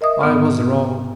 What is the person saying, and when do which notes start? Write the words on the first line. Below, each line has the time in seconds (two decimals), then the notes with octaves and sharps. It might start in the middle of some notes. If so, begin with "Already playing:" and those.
I was wrong.
0.01 A#4 D#5 E5 D#6
0.21 G#2 B3 F6